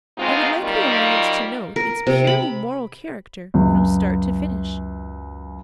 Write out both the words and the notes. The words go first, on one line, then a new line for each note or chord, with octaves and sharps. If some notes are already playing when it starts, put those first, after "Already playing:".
I would like the audience to note its purely moral character from start to finish.
G#2 B2 G#3 C4 D#4 F4
F#3 G3 A#3 D#4 F4
A#4
C3
B5
C#2 F#2